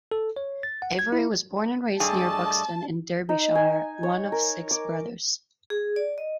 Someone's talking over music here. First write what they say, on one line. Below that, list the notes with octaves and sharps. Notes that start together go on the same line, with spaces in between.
Avery was born and raised near Buxton in Derbyshire, one of six brothers.
A4
C#5
A6
F#5
G#6
E4
G2 A3 G#4 D5 D#5 A5
D#4
G#5
C#5
A#4
D6
G#4
D5
D#5